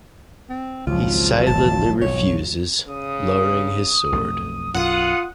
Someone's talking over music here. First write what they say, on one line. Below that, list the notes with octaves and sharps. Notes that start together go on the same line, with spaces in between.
He silently refuses, lowering his sword.
C4
G#1 C#2 F3 F#3 F4
D1 A1 A5
B1 C#5
C#3 D#6
B1 F2 A3
B1 F#2 F4 F#5 D#6